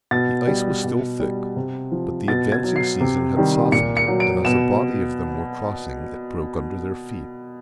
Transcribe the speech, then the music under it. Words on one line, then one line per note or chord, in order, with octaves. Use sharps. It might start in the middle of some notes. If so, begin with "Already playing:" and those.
The ice was still thick, but the advancing season had softened it; and, as a body of them were crossing, it broke under their feet.
B2 A6
G3
B2
G3
C3
F3
B2 A6
G#6
F#3
C7
C3
D#3 G3
A#2 C#7
C#7
F#3
D7
B2 E7